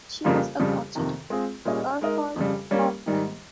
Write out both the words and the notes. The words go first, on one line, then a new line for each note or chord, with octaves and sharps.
She was the godchild of Gerhart Hauptmann.
F2 C#3 G3 A#3 F4
F2 C#3 G3
F2 C3 D#3
G#3 C4 F4 G#4
A#2 G3 C#4 G#4 D#5
G#3 D#4 A#4 D#5
F2 C#3 G3
G3 A#3 C#4
G#2 D#3 G3